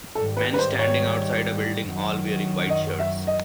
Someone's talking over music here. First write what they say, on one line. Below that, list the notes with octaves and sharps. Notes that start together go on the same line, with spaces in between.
Men standing outside a building all wearing white shirts.
G#2 D#3 G3 A4
B4
B4
C5
C#5
F#2 D#3 F#3
D#5
E5
D#5